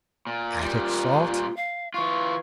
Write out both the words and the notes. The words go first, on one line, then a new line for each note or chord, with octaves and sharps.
"Attic salt?"
A#2
A#2 G3 F4
F5
E3 F4 C#6